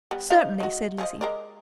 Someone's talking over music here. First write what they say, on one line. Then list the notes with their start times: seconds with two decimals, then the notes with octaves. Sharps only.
"Certainly," said Lizzie.
0.11 G3 B3
0.30 F3 D#4 F5
0.60 G#3 F#4
0.98 F3 G#4 D#5
1.21 G#3 A#4 D5